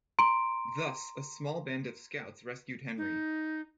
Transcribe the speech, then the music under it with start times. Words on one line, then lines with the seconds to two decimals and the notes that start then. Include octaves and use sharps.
Thus a small band of scouts rescued Henry.
0.19 A#5 C6 D7
2.98 D#4